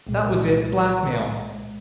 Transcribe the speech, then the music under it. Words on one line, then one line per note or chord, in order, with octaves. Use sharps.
That was it--blackmail.
C2 A#2 G#3